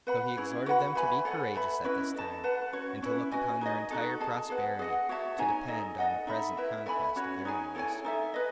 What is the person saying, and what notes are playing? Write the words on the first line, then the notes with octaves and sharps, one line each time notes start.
So he exhorted them to be courageous at this time, and to look upon their entire prosperity to depend on the present conquest of their enemies.
B4 F#5 B5
C#4 E4 G#4
F#4 B4 F#5 B5
B4 E5 G#5 B5
A4 C#5 F#5
B4 E5 B5
C#4 E4 B4 D#5
A4 D#5 A5
B4 F#5 A5
C#4 F#4 C#5
C#4 E4 B4
F#4 B4 D#5 G#5
D#4 G#4 D#5
D#4 F#4 A4
G#4 D#5 A5
G#4 B4 F#5
G#4 D#5 F#5
F#4 C#5 E5 A5
D#4 G#4 C#5 G#5
D#4 A4 D#5
A4 D#5 F#5
D#4 A4 E5 B5
E4 B4 E5
A4 E5 G#5 B5
C#4 F#4 C#5
D#4 G#4 C#5 G#5
E4 A4 C#5 G#5
D#4 A4 E5
B4 D#5